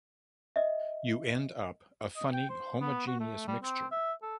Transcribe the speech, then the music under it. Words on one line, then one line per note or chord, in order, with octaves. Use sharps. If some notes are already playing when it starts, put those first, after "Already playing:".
You end up a funny homogeneous mixture.
D#5 E5
D#5
G5
C5
B3
F#4
A3
G3
C4
E5
A4